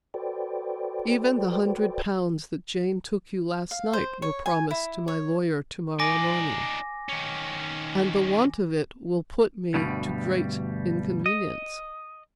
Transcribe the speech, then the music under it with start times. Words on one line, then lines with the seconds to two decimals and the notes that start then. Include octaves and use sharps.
Even the hundred pounds that Jane took you last night were promised to my lawyer to-morrow morning, and the want of it will put me to great inconvenience.
0.14 F#4 A4 B4 C5 D5 G5
3.71 F5
3.93 C5
4.22 C#5
4.46 G#5
4.71 E4
5.08 C#5
6.00 D#4 D5 G#5 D6 A#6
7.09 D#3 C#4
9.74 D2 G2 B2 G3
11.26 D#5